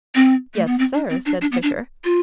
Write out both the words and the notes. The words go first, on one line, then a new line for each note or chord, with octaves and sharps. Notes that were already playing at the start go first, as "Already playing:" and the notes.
"Yes, sir," said Fisher.
C4
A3
B3
C4
D4
C4
D4
D4
B3
D4
F4